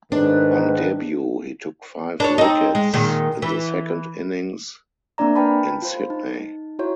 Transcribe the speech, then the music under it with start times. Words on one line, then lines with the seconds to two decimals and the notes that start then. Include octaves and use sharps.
On debut, he took five wickets in the second innings in Sydney.
0.12 G#2 D#3 D4 B4
2.20 D4 B4 C#5
2.38 C4 D#4
2.75 G#3
2.93 A#2 D#3 G#3
3.42 E3
5.18 A#3 C4 D4 D5 A#5
5.36 B4 G5 A5 B5
5.82 F4 C5
6.10 D#4
6.79 E4 F#4 C#5